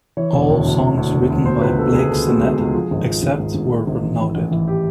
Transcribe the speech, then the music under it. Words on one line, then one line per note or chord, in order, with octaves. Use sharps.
All songs written by Blake Sennett, except where noted.
E3 C#5
E1
D2
D2
E1
D2
E1
D2
B2 C5
C#2 B4
C#2 A4
C#2 G#4
C#2 A4
B2
G#3
C#2
F3 G#4
G#1
F3
G#1
G#2
G#1
G#3
G#1
A1
E3
A1
E3
G4